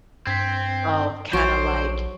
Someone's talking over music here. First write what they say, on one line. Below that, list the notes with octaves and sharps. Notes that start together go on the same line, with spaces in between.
of kinda, like,
G2 C4 G#6 B6
A#1 F#3 C5 C#6 D6 D7